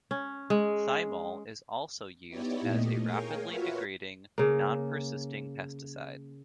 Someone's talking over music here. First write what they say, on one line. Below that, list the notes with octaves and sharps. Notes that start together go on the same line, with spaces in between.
Thymol is also used as a rapidly degrading, non-persisting pesticide.
C#4
G#3
B3 D#4 E4 G4 C#5 D5
A#2 A3 D#5
G#4 A#4 C#5 F5 G5 G#5
F4 F#4 A#4 B4 C#5 E5
C#3 A#3